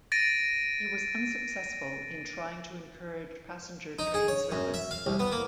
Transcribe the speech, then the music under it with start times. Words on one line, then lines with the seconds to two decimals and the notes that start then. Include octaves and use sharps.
He was unsuccessful in trying to encourage passenger train service.
0.12 A6 A#6 D7 D#7
3.99 D#4
4.14 G#4
4.28 C#5
4.52 F#2
4.74 E5
4.91 F5
5.06 C2
5.19 B3
5.32 A#3